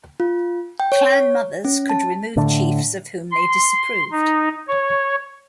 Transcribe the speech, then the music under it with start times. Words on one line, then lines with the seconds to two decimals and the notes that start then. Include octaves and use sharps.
Clan mothers could remove chiefs of whom they disapproved.
0.20 F4
0.80 G5
0.92 C#5
1.65 C#4
1.89 A5
2.36 A2 D3
3.31 C6
4.12 D#4
4.68 C#5